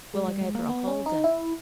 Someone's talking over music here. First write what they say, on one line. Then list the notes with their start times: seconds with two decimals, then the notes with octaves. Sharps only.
Well, I gave her a whole day.
0.14 G#3
0.28 G3
0.41 G#3
0.55 A#3
0.69 B3
0.87 C#4
1.06 D#4
1.24 E4